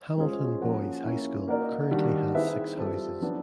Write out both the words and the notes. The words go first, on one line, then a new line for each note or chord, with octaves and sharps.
Hamilton Boys' High School currently has six houses.
G#3 C#4 F4 G#4 C5
F3 A#3 C#4 F#4
A#3 C#4 E4
A#3 D#4 F#4 A#4 D5
D#3 G3 A#3 D4 F#4
C4 E4 G#4 B4 E5
G3 C4 F4 A4
F#3 B3 D4